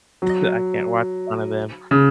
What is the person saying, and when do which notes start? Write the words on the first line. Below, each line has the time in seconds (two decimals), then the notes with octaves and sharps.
that I can't watch in front of them.
0.22 F#3
1.91 C#3